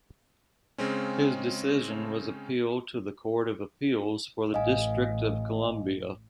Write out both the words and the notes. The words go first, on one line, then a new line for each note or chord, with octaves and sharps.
His decision was appealed to the Court of Appeals for the District of Columbia.
C#3 G#3 C4 C#4
A1 D#5 F5 G#5